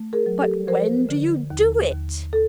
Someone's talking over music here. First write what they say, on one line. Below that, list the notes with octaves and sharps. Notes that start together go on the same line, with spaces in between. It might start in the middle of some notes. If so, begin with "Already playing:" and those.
"But when do you do it?"
Already playing: A3
G#4 A#4
F#3
G4 A4
F3 A#4 C5
D3
D#2
D#2
A4